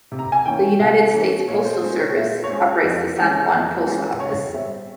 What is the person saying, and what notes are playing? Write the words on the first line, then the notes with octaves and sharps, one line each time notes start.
The United States Postal Service operates the San Juan Post Office.
C3
A#5
G#5
E3 A#3 C#4 G5
C3 F5
E3 A#3 C#4
A#2 C#5
C5
G#3 C#4 C5
C#5
A#2 E5
C#5
G#3 C#4 C5
F2
E3 G#3 C#4
F2
E3 G#3 C#4
C#3 C#5
G3 C4 E5